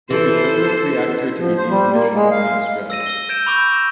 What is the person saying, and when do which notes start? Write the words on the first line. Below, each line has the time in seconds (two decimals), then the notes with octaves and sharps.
It was the first reactor to be decommissioned in Australia.
0.10 E3 A4 C5
1.39 F3
1.57 C5
1.70 G3
1.94 A#3
2.15 G#3
2.31 F5
2.90 E6 A#6 D#7
3.06 E6 G7
3.29 G6 G#6 D7 E7
3.46 B5 C#6 D6 E6 G6
3.74 A#6 E7